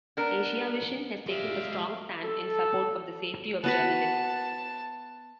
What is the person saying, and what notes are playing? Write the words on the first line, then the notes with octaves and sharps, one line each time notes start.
Asiavision has taken a strong stand in support of the safety of journalists.
B3 D4 A#4
G#3 G4 D5 E5 F5
A4
B3 F#4 B4 A5